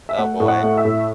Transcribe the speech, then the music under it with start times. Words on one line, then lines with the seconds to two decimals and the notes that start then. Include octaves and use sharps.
Oh, boy.
0.09 E5
0.18 A3 F#5
0.40 A2
0.48 F#5
0.63 A3
0.77 E5
0.85 A2